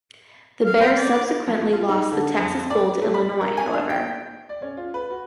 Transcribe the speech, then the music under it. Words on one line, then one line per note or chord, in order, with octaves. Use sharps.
The Bears subsequently lost the Texas Bowl to Illinois, however.
F5
C5 G5 A#5 B5
D5
F3
F4
D#4
D3
F2
D5
A3
B5
A#4
G#5
D4
G5
D5
C#4
F4
B4
F#4